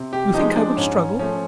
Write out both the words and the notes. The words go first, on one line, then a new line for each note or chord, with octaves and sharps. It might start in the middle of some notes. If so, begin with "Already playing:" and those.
You think I would struggle?
Already playing: C3
G4
F3 G#3 D#4
D4
G#2 C#4
F3 A3 C#4